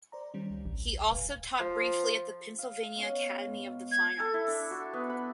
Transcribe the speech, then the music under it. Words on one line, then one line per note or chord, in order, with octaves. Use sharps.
He also taught briefly at the Pennsylvania Academy of the Fine Arts.
C5 D5 A#5
D#3 G3 C#4
C#2
A1
D#1 B4 F5 G#5
F3
F5
B2 C#4
G#2
G#6
A4
E4
D4
F#4
B3
B5